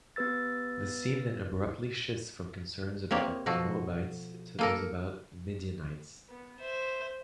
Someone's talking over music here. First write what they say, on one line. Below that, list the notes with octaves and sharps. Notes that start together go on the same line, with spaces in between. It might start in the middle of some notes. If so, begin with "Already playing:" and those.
The scene then abruptly shifts from concerns about Moabites to those about Midianites.
B3 G4 B4 E6 A6
A#3 C4 G4 C#5
B2 F3 F#4 A4
A#3 A4 A#4
B3
C5 E5